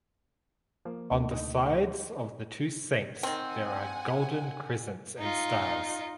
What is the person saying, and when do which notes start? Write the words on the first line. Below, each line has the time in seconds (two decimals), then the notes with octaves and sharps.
On the sides of the two saints there are golden crescents and stars.
0.85 F3 A#3
1.12 D2 A#3
1.31 D#4
1.66 C5 F#5
3.23 D#3 C4 F#5 G#5
5.19 D#4 F4